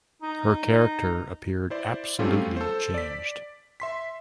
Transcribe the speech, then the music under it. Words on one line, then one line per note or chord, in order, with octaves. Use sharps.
Her character appeared absolutely changed.
D#4
E4 C5 D5
F#3 G3 A3 C4 C#4 F4
A4 C5
D5 B6
E5 C6 B6